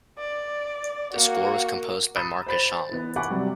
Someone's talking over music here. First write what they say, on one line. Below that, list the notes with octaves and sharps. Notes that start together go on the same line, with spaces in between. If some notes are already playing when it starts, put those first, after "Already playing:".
The score was composed by Mark Isham.
D5
A#3 F#4
A#5 B5 D#6 A6 E7
C5 B5 A6
E3 B3 B4
F#5 G#5 B5 C#6 D6 F#6
C3 F#3 G3